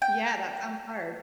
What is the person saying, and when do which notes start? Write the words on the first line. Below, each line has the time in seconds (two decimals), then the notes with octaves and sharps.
Yeah, that sounds hard.
0.02 G5